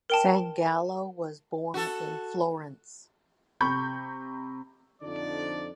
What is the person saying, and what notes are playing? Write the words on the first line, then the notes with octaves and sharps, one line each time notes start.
Sangallo was born in Florence.
A#4 G5 A5
F#4 A4
C3 B5 C#6 G6
F2 D3 F3 D4 D#4 D5